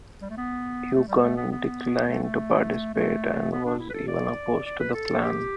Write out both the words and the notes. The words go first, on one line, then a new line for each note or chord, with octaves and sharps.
Ukon declined to participate and was even opposed to the plan.
G3
A3
B3
A3
G3
A3
B3
B3
A3
A3
A3
B3
D4
E4
B4
A4
D5
D5
B4
A4
G4